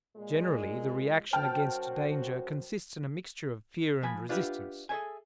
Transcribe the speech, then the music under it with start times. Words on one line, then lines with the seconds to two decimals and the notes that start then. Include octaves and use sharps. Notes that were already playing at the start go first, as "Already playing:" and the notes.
Generally the reaction against danger consists in a mixture of fear and resistance.
0.17 A#2 G#3
1.33 F#2 F#4 C5 G5 A5 F6
4.03 F3 G#5 B5
4.29 D4 F4 G4 B4 E5 F#5
4.89 G#4 A4 C5 E5 G#5